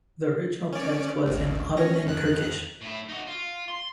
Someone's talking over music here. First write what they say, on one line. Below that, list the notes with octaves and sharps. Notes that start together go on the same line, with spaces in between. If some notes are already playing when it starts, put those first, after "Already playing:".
The original text was in Ottoman Turkish.
C#4 D5
G#1 D2
C#4 A#6
F2 D#3 F#6
A2 E4
D#4 F#4
F4
C6